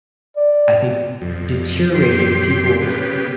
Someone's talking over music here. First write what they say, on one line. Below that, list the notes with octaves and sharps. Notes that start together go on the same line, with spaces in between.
I think, deteriorated people's
D5
F2
F#2 G4 C6
C#3 B3 G4